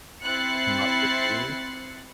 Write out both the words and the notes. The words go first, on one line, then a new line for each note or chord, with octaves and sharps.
not just me."
C4 E4 F#6 A6 C7 C#7